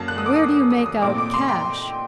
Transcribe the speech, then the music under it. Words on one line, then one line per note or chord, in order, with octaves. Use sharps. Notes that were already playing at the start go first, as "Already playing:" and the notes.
"Where do you make out cash?"
Already playing: F#2 F#3 A#3 A5
F#6
D#6
D6
D#6
D#6
D#6
A#2 A3 C4 D#4 D6
D6
C6
G5